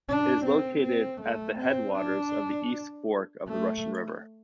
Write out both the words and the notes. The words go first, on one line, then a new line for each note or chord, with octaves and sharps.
It is located at the headwaters of the East Fork of the Russian River.
D4
C4
C4
A3
C4
D4
A3